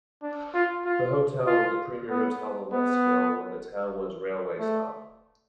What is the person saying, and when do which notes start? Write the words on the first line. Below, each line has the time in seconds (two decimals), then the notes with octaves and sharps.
The hotel was the premiere hotel in Westville when the town was railway stop.
0.22 D4
0.54 F4
0.85 F4
1.47 F4
2.10 B3
2.72 B3
4.59 A3